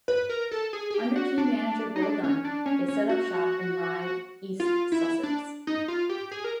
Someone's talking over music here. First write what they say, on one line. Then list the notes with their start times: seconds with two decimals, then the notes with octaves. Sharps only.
Under team manager Bill Dunne they set up shop in Rye, East Sussex.
0.08 B4
0.29 A#4
0.51 A4
0.73 G#4
0.90 G#4
0.94 G4
1.16 F#4
1.38 D4
1.96 D#4
2.02 D4
2.23 C#4
2.44 D4
2.66 C#4
2.88 C#4
3.09 F#4
4.60 F4
4.92 E4
5.23 D4
5.67 D#4
5.88 F4
6.09 G4
6.31 G#4
6.44 A#4